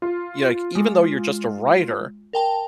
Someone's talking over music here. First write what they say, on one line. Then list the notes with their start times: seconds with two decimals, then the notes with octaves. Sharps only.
y like, even though you're just a writer,
0.02 F4
0.75 G#3
2.33 A#4 G5 A5